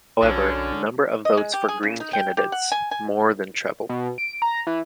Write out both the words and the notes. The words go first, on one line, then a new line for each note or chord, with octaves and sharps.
However, the number of votes for Green candidates more than trebled.
B1 F#2 D3 C#4
D#5
G#3
G4
G#4
C#3
D#4
G5
G4
F#5
G#5
G#5
B2
D7
A#5
E3